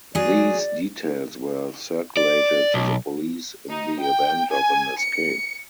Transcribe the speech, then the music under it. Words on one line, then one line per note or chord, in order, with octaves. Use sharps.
These details were circulated to the police in the event of an escape.
F#3 G#4 D5
D5
B1
D#4
G5
G#5
C#7